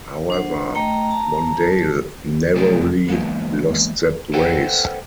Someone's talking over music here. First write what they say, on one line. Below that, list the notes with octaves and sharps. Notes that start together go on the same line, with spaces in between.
However, Mondale narrowly lost that race.
D4 C5 F#5
A3 D#5 G5 A#5
A5
C3 F3 A3 G#4 D5
E3 G#3 A#3 B3
A4 B4 C5 D#5 F#5 G5